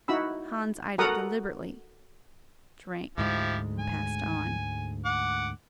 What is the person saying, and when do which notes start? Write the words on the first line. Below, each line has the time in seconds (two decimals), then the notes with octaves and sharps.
Hans eyed it deliberately, drank, and passed on.
0.08 D#4 E4 F#4 B5 E6
0.98 F#4 A4 A#4 F#5 A#5 D#6
3.18 D2 G#2 F3 G#3 E4 G4
3.79 G#5
5.05 F#5 D6